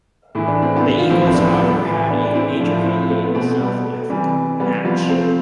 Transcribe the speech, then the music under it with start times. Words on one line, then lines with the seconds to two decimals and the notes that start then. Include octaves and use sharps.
The Eagles, however, had a major highlight in the South Africa match.
0.35 A2 E3 E4
0.48 D4
0.62 C4
0.75 B3 D4
0.99 F4
1.09 A2 F3 C4 E4
1.29 C4
1.34 B3 D4
1.60 G3 B3
1.85 A2 E3
2.10 B3 D4
2.25 D4
2.35 C4 E4
2.55 E4
2.60 F3 D4 F4
2.63 A2
2.84 C4 E4
3.10 A3 C4
3.23 B3
3.34 B2 A3 C4
3.60 G3 B3
3.85 A3
4.10 C3 E3 G3
4.60 G3 B3
4.85 F3 G3 B3
4.89 C3
5.09 A3 C4